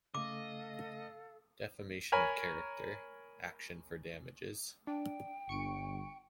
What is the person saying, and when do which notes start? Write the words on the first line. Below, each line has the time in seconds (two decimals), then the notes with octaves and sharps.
Defamation of character: action for damages.
0.15 C#3 A3 A4 D#5 F5 D6
2.12 A#4 C#5 G#5 B5
4.87 D4 G5
5.49 G1 C#6 C#7 D7